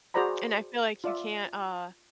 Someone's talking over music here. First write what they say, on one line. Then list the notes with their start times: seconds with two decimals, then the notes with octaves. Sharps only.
And I feel like you can't, uh
0.14 F#4 G#4 C5 D5 A#5 B5
1.04 F4 D5 E5